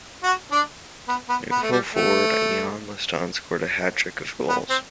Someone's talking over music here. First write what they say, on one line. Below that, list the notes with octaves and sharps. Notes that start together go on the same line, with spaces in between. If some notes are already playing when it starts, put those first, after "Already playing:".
New full-forward Eoin Liston scored a hat-trick of goals.
F#4
D4
B3
B3
B3
A3
G3
A3
B3
C4